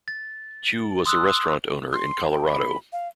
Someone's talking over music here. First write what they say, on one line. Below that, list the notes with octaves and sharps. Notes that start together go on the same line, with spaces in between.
Chiu was a restaurant owner in Colorado.
A6
C6 D#6 E6 F#6
C6
G5
B5
F5